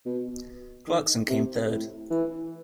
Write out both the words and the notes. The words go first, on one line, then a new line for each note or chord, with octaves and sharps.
Clarkson came third.
B2
D#3
C3
A2
E3